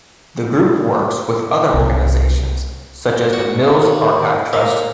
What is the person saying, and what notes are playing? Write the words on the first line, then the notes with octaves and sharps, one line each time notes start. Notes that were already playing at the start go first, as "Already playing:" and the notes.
The group works with other organisations such as the Mills Archive Trust.
C2
F#4
D#2
A#3